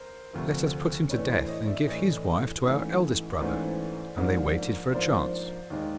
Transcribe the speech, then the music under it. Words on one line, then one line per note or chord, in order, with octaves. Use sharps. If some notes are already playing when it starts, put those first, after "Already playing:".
Let us put him to death and give his wife to our eldest brother!' And they waited for a chance.
Already playing: A#4 C5
D2 C3 F3 A3
A2 E3 A3 D4 B4 C#5
C5 D5
C#5 D#5
D5 E5
A2 E3 A3 D4 C#5 D#5
G#2 E3 A3 C#4
G#2 E3 A3 C#4 C5 D5
G#2 F3 A#3 D4
G#2 F3 A#3 D4 C5 D5
D#2 D#3 G#3